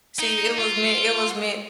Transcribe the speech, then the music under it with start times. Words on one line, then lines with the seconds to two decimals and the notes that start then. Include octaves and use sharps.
See, it was meant it was meant
0.20 D#4
0.58 F4